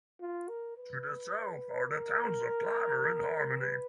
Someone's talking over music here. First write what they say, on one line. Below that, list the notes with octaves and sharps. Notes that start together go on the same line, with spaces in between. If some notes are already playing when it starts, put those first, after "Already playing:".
To the south are the towns of Clymer and Harmony.
F4
A#4
B4
A#4
B4